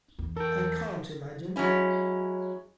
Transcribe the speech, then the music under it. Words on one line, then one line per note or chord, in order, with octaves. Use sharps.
I can't imagine.
E2
A4 A#4 G5
F#3 G#3 C#4 E4